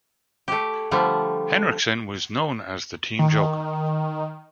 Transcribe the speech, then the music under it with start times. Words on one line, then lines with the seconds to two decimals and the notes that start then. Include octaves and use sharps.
Henriksen was known as the team joker.
0.48 A3 G4
0.91 D3 F3 G3 A3
3.19 D#3